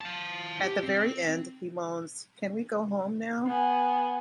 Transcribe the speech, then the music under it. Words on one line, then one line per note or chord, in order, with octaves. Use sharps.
At the very end, he moans Can we go home now?
F5 A5
G4
C4
B3 G#5